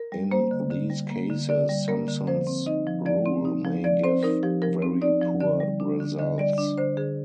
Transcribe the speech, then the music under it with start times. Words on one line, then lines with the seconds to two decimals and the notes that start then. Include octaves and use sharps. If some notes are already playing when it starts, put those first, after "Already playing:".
In these cases, Simpson's rule may give very poor results.
Already playing: A#4
0.12 G3
0.31 A#3 C5
0.51 D3
0.70 D3
0.90 G3
1.10 A#3
1.30 D3
1.49 D3 D5
1.69 G3
1.88 A#3 A#4
2.08 D3
2.27 F3 C5
2.47 C4
2.66 D#4 D#5
2.87 F3
3.06 F3 D5
3.26 C4
3.45 D#4
3.65 F3
3.84 F3 D5
4.04 C4 C5
4.23 D#4 A#4
4.43 F3 G4
4.62 F3 A#4
4.82 C4
5.02 D#4 D5
5.21 F3
5.40 D3 D5
5.60 G3
5.80 D4
6.00 D3
6.19 D3 D#5
6.38 G3 D5
6.58 D4
6.78 D3 C5
6.97 D3 G#4